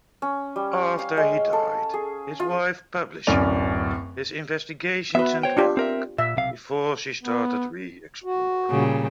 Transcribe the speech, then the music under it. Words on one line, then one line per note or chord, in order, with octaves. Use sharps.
After he died his wife publishing his investigations and work, before she started re-exploring.
C#4
G3
F5
G#3
A4
G#4
F4
D1 F#2 C#4 D5 F7
B3 F#4 B4 E5
C5 C#5 G5
D4 F4 G4
C4 A#4 E5
A#2 E5
B1 C3 F5
B3
F#4
A#2 C#3 G3